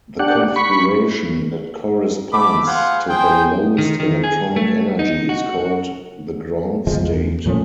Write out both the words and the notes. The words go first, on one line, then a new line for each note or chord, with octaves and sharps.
The configuration that corresponds to the lowest electronic energy is called the ground state.
D4 G4 F#5
B5 C#6
A3 B5 D6
F4 G#4 C5 F5 F#5
G#4 C5 G5
D#3
D#3
G#4
A3
D#4
F#4
G1 F3 G#3 C4
E2
A#2 F3 A3 C#4